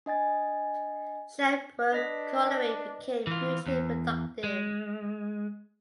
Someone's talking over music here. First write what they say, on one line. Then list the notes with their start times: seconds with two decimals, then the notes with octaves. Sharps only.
Shirebrook Colliery became hugely productive.
0.06 D4 D#5 G#5 A6
1.92 D4 B4 D#5 B6
3.27 E3 F4
3.67 E2
4.44 G#3